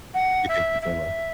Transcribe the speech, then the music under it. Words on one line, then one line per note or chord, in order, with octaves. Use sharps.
You think the same way?
F#5
E5
E5